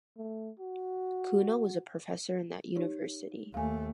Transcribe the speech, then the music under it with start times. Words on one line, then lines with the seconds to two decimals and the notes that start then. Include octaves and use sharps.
Kuno was a professor in that university.
0.17 A3
0.59 F#4
2.76 D#4 G4 C#5
3.54 D#2 A3 F5 G#5